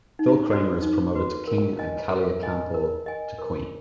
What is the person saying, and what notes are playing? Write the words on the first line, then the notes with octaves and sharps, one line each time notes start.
Phil Kramer is promoted to King and Kalia Campbell to Queen.
D#4
F#4 B4
D#4
F#4 B4
A#4
D#5 G#5
A#4
D#5 G#5
A#4
D#5 G#5
A#4